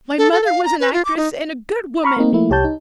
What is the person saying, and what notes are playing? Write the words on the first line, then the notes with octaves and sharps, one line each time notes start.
My mother was an actress and a good woman.
A4
A4
F5
A#5
B4
F4
D6
D#4
A#5 B5 C#6 F6
A#3 C4 D#4
F3 A3 A#3 E4
C2 G4 C#5 A5 G6
D#4